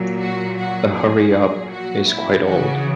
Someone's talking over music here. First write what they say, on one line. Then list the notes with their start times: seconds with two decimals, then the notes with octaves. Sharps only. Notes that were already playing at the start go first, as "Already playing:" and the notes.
The hurry-up is quite old.
Already playing: A#2 F#3
0.20 F#4
0.58 F#4
0.95 A#2 F#3 G#4
1.71 F#4
2.08 E4
2.45 C#3 E3 F#4